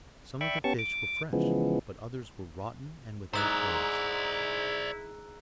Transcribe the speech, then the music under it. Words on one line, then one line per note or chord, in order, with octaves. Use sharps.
"Some of the fish were fresh, but others were rotten and without heads."
D5 E5 G5 B5 C#6
B3 C#4 G4 A5 C#6
D6
C#3 E3 F3 G#3 B3
G#2 E4 C5 D5 A#5 E6 F#6